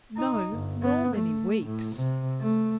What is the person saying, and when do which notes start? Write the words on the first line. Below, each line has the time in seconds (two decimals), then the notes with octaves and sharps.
"No--nor many weeks."
0.16 D#4
0.52 G1
0.83 B3
1.16 A3
1.65 A2
1.95 C3
2.41 A3